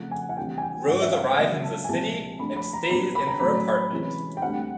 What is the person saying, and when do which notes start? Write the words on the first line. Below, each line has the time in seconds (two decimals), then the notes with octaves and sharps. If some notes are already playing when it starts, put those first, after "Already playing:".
Rose arrives in the city and stays in her apartment.
Already playing: F2 C#3 F3 A3 F#5
0.11 G#5
0.29 F#5
0.37 D2 C3 E3 G3 G5
0.58 G#5
0.62 G5
0.87 G#2 D#3 G3 F#5
1.01 E5
1.13 F5
1.38 C#2 C#3 F#3 A#3 D4 E5
1.63 A5
1.84 G#5
1.89 C2 A#2 F3 G#3 A5
2.39 D2 D3 F3 B5
2.56 B5
2.73 A#5
2.90 A#2 G3 B3 D4 B5
3.15 B5
3.27 A#5
3.39 A2 F#3 A3 C#4 B5
3.91 C3 E3 G#3 C#4
4.37 G5
4.42 D2 D3 G3 C4 F#5